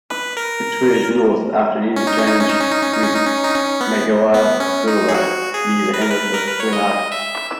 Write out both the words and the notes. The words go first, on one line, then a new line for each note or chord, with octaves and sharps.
It swerves north after an interchange with Neyagawa Boulevard, near the hamlet of Glenarchy.
B4
A#4
C#4
D#4
C#4
D#4
C#4
D#4
C#4
D#4
C#4
D#4
C#4
D#4
C#4
D#4
C#4
B3
B3
C#4
D#4
G#4
F#4
G#4
B4
A#4
B4
A#4
B4
C#5
D#5
E5